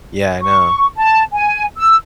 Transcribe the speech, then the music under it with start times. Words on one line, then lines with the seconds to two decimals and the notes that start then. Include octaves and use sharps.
Yeah, I know.
0.41 C#6
0.97 A5
1.32 G#5
1.76 E6